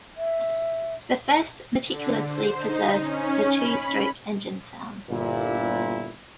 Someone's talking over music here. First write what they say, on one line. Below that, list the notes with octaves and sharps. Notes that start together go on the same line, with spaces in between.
The first meticulously preserves the two-stroke engine sound.
E5
D3
C5
D#4
C#4
B5
G1 A#2 E4